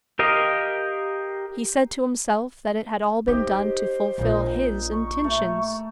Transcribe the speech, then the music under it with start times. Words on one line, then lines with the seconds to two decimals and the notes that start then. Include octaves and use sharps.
He said to himself that it had all been done to fulfil his intentions.
0.19 G4 A#4 D#5 F5
3.28 D#4 G4 C5 D#5
4.18 A#1 A#2 D#4 F4
4.91 C#6
5.24 A3